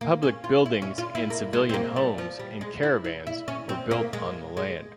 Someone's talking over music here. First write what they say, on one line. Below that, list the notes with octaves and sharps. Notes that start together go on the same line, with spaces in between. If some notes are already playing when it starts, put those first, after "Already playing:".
Public buildings and civilian homes and caravans were built on the land.
A#3
C#4
F4
E4
C#4
F4
E4
A#3
G#3
C4
A#3
G3
F3
G3
G#3
E4
E4
E4
C#4
C4
A#3
G#3
G#3